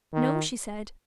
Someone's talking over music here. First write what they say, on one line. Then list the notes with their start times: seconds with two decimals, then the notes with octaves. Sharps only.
"No," she said.
0.13 D#3